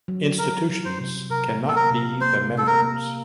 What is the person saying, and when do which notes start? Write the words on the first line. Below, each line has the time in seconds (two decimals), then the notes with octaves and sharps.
Institutions cannot be the members.
0.08 F#3
0.38 F#3 A#4
0.69 F#3
0.85 C5
0.99 C3
1.30 C3 A#4
1.60 A#3
1.68 A4
1.76 A#4
1.91 C3
2.21 A#3 C5
2.52 C3
2.58 A4
2.67 A#4
2.82 A#3